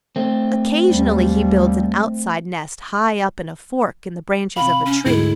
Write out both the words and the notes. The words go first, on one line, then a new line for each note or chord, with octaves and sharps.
Occasionally he builds an outside nest high up in a fork in the branches of a tree.
A3 C4
D#2 G3
C3 F5 B5
C#4
D2 G#2 E4